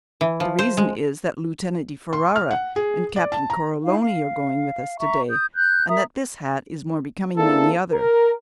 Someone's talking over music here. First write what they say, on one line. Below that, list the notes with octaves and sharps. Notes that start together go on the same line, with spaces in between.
'The reason is, that Lieutenant di Ferara and Captain Coroloni are going with us to-day, and that this hat is more becoming than the other.'
E3
F3
C5
G#3
C6
F6
F#5
G#4
D5
A5
A#5
D#4 E4 F5
F5
E5 A#5 C#6
D#6 G6
F#6 G6
A#4 E5 A#5 D#6
A#3 C4 D4 E4 G#4 A4
A#4